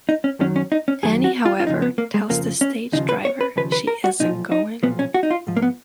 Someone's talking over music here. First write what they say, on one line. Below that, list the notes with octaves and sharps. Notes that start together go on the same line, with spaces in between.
Annie, however, tells the stage driver she isn't going.
D#4
C#4
F#2 D#3 F#3 C#4
C#4
D#4
C#4
F#2 D#3 F#3 G#4
F#4
F4
F4
F2 C#3 F3 D#4
B3
A#3
G#3
F2 C#3 F3 A#3
C#4
D#2 C#3 F3 D#4
B4
C#5
B4
D#2 C#3 F3 B4
B4
A#4
F#4
B1 A#2 F3 D#4
D#4
B1 A#2 F3 B3
C#4
F#4
D#4
F4
G#2 F3
A#3
B3